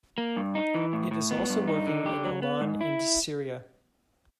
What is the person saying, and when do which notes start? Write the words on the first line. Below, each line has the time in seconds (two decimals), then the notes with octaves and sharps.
It is also working n Oman and Syria.
0.18 A#3
0.37 G2
0.55 D#4
0.75 E3
0.93 A2
1.11 A2
1.31 B3
1.50 G2
1.68 D#4
1.87 D3
2.06 G4
2.25 F#3
2.42 B3
2.61 G#2
2.81 E4